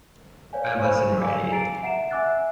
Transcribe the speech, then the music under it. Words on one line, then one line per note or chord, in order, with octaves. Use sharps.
I wasn't ready.
B4 C#5 D5 F5 G#5
C5 G#5 B5 C#6
F5 G#5 A5 D6 E6
G#5 A#5 A6 C7 D7
E5 F#5 A#5 C7 D7 E7
E5 G#5 D6 E6 F#6 A6